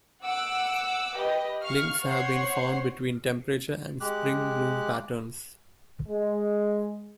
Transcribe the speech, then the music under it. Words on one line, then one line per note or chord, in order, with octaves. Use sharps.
Links have been found between temperature and spring bloom patterns.
F#5 D6 E6
G4 B4 D#5
F5 C#6 F6
C5 C#5 F#5 C#6 C7
G#3 G4 F#6
G#3